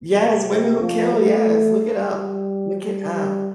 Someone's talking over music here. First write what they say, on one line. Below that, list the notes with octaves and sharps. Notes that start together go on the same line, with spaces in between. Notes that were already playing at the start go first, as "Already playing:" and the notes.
Yes, Women Who Kill, yes, look it up. Look it up.
C3
F3
A3
G3
G3
G3